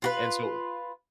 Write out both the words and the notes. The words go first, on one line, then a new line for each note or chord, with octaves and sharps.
and so
F4 F#4 B4